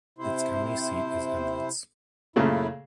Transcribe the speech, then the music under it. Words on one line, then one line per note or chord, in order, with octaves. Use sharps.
Its county seat is Eminence.
C3 E4 C5
F#2 A#2 C#3 A3 E4